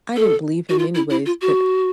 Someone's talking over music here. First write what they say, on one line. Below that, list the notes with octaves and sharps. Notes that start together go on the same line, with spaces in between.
"I didn't believe him anyways, but
A4
F#4
F4
E4
E4
F4
F#4